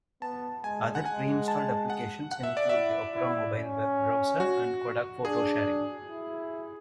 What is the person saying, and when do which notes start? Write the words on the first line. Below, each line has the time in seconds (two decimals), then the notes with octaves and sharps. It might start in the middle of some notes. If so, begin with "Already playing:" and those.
Other pre-installed applications include the Opera Mobile web browser and Kodak Photo Sharing.
0.22 B3 A5
0.64 G#3 G#5
0.95 F#5
1.06 G#3 G#5
1.48 A5
1.90 F#5
2.31 F#5
2.43 E5
2.57 D5
2.69 E4 E5
3.14 E4
3.57 C#4
4.40 F#4
5.24 D4 G#4
6.08 E4